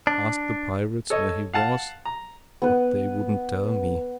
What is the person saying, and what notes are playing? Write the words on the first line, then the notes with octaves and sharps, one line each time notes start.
I asked the pirates where he was; but they wouldn't tell me.
D4
A4 C#5 D#5
F5 F#5 A5 F6
A#5
B3 B4